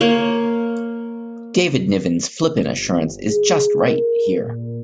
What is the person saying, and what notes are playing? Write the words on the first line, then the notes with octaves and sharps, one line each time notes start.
David Niven's flippant assurance is just right here.
A#3 C#5
G1
G#4
A#4
A#2